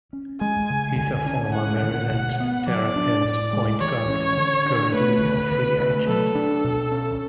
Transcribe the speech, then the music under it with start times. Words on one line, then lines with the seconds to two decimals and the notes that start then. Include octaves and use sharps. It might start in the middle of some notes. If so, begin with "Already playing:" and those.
He is a former Maryland Terrapins point guard, currently a free agent.
0.13 C#4
0.41 G#3 G#5
0.70 C#3
0.98 D3 G#5
1.26 C#4
1.54 G#3 F#5
1.82 D3
2.11 B2
2.40 B3
2.67 F#3 D5
2.96 D4
3.25 A2
3.53 G#3
3.80 E3 C#5
4.09 C#4
4.37 D3
4.65 D4
4.94 A3 B4
5.22 D3
5.51 D3
5.79 A3
6.07 F#3 A4
6.35 D4
6.64 B2
6.92 C#4